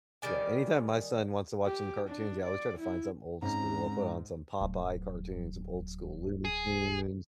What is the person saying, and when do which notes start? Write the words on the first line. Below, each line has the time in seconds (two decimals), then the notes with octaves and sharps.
Yeah, anytime my son wants to watch some cartoons, yeah, I always try to find something old school. I put on some Popeye cartoons, some old school Looney Tunes,
0.22 D#3 G3 D5 G#5
1.66 G4
2.07 D4
2.45 D5
2.79 E4
3.42 G#2 G#3 C4 C#4 A#5
4.61 D1 F#3
6.45 G#4